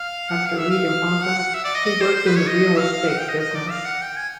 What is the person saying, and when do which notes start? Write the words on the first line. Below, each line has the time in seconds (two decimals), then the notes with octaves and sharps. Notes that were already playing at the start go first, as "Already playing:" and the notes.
After leaving office, he worked in the real estate business.
Already playing: F5
0.31 F#5
0.46 F5
0.58 E5
0.70 F5
1.24 F#5
1.39 F#5
1.54 E5
1.64 D5
1.75 D#5
1.85 D#5
2.01 C5
2.16 C5
2.27 B4
2.37 C#5
2.47 D#5
2.78 F5
2.93 F5
3.09 F#5
3.19 G5
3.28 D#5
3.40 D#5
3.55 D5
3.70 F5
3.85 F#5
4.01 G5
4.16 G#5